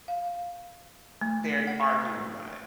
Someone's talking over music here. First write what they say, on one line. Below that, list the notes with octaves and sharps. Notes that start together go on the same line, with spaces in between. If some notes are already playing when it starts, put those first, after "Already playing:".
they're d arguing about it.
F5
A3
F#5